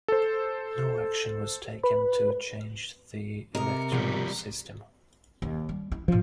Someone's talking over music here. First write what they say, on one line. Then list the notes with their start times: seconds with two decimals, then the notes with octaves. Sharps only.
No action was taken to change the electoral system.
0.08 A4 C5
1.84 B4
3.55 C3 A#4 D#5
3.92 B2 F3 G3 B3 G#4
5.42 D#2
5.69 G3
5.92 E4
6.08 A2 F3 D4